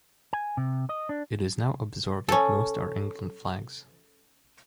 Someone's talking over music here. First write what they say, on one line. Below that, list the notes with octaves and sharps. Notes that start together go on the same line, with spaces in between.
It is now observed that most are England flags.
G#5
C3
D#5
D4
C#4 A4